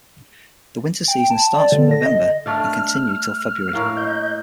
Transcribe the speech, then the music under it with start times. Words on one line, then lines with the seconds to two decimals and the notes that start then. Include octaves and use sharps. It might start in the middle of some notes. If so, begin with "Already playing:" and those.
The winter season starts from November and continue till February.
1.08 G5
1.30 A5
1.56 D5
1.72 D3
1.91 A#6
2.06 D#5
2.46 A3 D4 F5 F6
3.73 A2 A#3 F5
3.97 D#5 G6